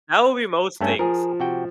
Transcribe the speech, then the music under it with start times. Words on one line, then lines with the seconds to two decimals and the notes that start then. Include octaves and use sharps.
that would be most things.
0.81 G2 A3 C#4
0.99 F3 G#4 A#4
1.40 C3 F#4 G5